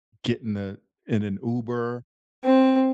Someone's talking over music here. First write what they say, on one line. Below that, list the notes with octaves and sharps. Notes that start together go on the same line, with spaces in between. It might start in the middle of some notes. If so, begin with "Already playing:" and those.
get in the in an Uber,
C4